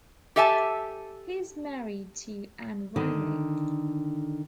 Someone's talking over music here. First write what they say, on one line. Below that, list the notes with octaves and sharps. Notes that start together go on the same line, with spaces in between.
He is married to Anne Riley.
G4 A4 E5 G#5 A5
D3 D#3